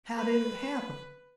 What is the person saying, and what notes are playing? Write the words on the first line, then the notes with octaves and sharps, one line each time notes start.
"How did it happen?"
B4